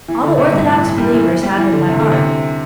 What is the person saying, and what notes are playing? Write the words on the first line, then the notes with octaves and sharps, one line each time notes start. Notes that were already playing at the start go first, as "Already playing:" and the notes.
All the orthodox believers have them by heart.
E3
D3
C3
G2
A2
E3
G3
E3
E3
G3
E3
D3
C3
D3
C3